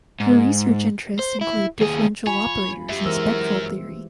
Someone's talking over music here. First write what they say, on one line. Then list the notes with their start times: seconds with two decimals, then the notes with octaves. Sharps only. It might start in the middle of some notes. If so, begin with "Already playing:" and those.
Her research interests include differential operators and spectral theory.
0.20 G#2
1.19 C5
1.41 E4
1.80 D#2 G#4
2.27 F4 C#5 G#5 B5
2.89 F#2 G4 E5
3.05 E3 G#3 A#4 C5 E6